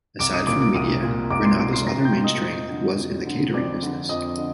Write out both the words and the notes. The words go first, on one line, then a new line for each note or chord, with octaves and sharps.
Aside from media, Granada's other main strength was in the catering business.
C2 D6 D7
D#6 D#7
A#2 D6 D7
D6 D7
C2 D#6 D#7
A#2
C2 D6 D7
C6 C7
A#2 D6 D7
C6 C7
C2 A#5 A#6
G5 G6
A#2
D#5 D#6
F2
D3
F2
D3
F2 D5 D6
D3
F2 D#5 D#6
D3